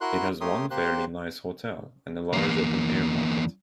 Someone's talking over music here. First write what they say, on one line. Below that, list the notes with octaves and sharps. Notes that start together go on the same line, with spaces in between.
It has one fairly nice hotel and a large open-air market.
E4 F#4 A#4 C6 F#6
A3 G4 A#4 C#5 C6 D#6
A#3 C4 G4 C5 C6 F#6
E2 A#3